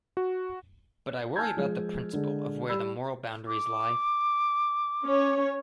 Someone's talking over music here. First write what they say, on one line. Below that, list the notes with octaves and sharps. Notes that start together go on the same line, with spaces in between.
But I worry about the principle of where the moral boundaries lie.
F#4
G#5 A5 E6 F6 G6 G#6
F3 G#3 F4
D3 G#3
G3 B5 E6
D6
C#4 C#5